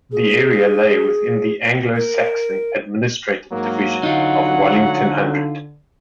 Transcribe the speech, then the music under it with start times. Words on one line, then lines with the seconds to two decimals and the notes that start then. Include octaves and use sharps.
The area lay within the Anglo-Saxon administrative division of Wallington hundred.
0.12 G#4
1.95 A#4
3.52 G#2 F#3 A#3
4.03 D3 D#4 F4 F#5